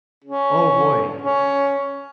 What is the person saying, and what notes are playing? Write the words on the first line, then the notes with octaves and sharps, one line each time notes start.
oh, boy,
C#4
C#4